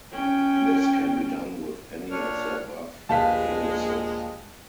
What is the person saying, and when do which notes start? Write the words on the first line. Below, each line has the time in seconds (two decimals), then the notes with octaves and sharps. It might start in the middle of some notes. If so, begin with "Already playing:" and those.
This can be done with any of the above indices.
0.12 C#4 G5
2.11 A#2 D4 C#5 F6
3.09 A#1 D#2 G#3 B4 F5 G5 A5 B6